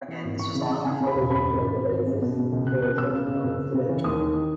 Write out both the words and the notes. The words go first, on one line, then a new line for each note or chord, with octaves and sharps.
Again, this was long before the huge market that exists for such products today.
E3
G#1
E3 C#6
C#3
A5
C#3
C#3 G#5
C#3
B5
E1
F#2 B5
G#1
G#1
G#1
G#1
F#2
B2
B2
C#2
C#2 F#6
B2 F#6
C#2 E6
C#3
C#3
F#1
C#3
C#3
E3
D#2 D#6
D#3